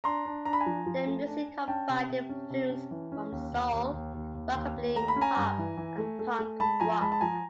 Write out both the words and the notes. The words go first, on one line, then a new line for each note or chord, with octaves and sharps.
Their music combined influences from soul, rockabilly, pop and punk rock.
D4 A#5 C6
D4
D4 A#5
B5
G#5 A#5
F3
F3
A3
D4
D4
C#4 G5 A5
C3
C3
C#4
C3
C#4
E3
C#4
D#2
D#2
D#2
D#2
D#2
D#2
D#2
D#2
A3 A#5
B5
C#4
G#5 A#5
G2
E3
E3
A3
A3
A3
G#3 A5 B5
F3 G#5 A#5
G#3 A5 B5
A5
F3 G#5 A#5